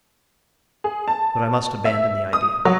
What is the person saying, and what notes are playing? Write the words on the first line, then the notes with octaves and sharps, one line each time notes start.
But I must abandon the idea.
G#4
A5
E5
D#6
F#3